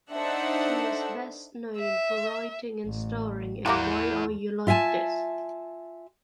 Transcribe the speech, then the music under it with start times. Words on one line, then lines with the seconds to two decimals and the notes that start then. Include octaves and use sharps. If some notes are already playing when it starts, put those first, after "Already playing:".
She is best known for writing and starring in "Why Are You Like This".
0.12 D4 D#4 A4 C5 E5 F#5
1.77 E5
2.86 A1
3.66 E2 G3 A#3 E4 A#4 F#5
4.67 F4 E5 F#5 G#5 A5